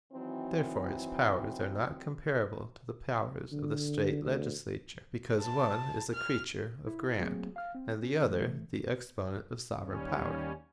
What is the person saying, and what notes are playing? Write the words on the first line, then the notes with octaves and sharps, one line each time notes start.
Therefore its powers are not comparable to the powers of the State Legislature, because one is the creature of grant, and the other the exponent of sovereign power.
D#3 E3 F#3 C4
D3
D2
A5
F6
E4
F#3 A3 A#3 C4 F#4 G#4
F5 F6
C4
C#4
A2 E3 A3
D#2 G3 C#4